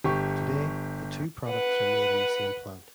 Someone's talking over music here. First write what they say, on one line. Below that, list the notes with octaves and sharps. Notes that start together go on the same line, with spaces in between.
Today, the two products are made in the same plant.
G1 G4 C#6
B4 F#5